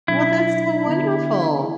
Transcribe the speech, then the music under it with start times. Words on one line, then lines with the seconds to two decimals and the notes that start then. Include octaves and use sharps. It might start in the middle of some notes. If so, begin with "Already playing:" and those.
Well, that's so wonderful.
0.08 B2 F#3 D4 E4
0.86 D3 B3 D4
1.63 E4